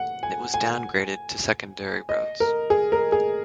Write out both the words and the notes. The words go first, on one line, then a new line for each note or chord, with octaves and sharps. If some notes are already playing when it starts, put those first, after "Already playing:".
It was downgraded to secondary roads.
Already playing: F#5
G#5
G#5
D#5
A#4
G#4
A#4
G#4